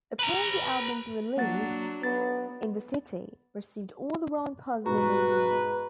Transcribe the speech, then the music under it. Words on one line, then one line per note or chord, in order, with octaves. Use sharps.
Upon the album's release, "In the City" received all-round positive reviews.
B4 A#5
F#3 A#3 D4 F#5 A6
B3 A6
G#2 B2 F#4 B4 A#5